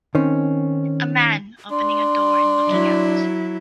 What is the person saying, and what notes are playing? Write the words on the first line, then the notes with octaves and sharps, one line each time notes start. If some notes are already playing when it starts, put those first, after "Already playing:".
A man opening a door and looking out.
D#3 C4 C#4
D4 C6
F#3 E4